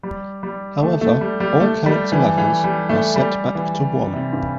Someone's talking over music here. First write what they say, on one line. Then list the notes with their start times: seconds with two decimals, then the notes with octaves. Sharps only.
However, all character levels are set back to one.
0.03 G3
0.43 G3
0.82 A3
1.01 A3
1.21 G3
1.40 G3
1.60 A3
1.86 G3
2.12 E3
2.38 E3
2.64 G3
2.89 A3
3.16 G3
3.55 E3
4.13 C3
4.33 G2